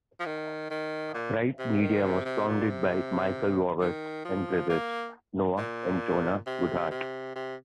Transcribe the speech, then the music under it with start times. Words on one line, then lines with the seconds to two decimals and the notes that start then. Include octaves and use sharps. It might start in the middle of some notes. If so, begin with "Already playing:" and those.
Right Media was founded by Michael Walrath and brothers, Noah and Jonah Goodhart.
0.20 F3
0.26 D#3
0.70 D#3
1.14 A#2
1.59 C3
1.81 D#3
2.03 C3
2.25 C3
2.47 A#2
2.70 C3
3.81 D#3
4.25 F3
4.69 A#3
5.58 A#2
6.47 C3
6.91 C3
7.35 C3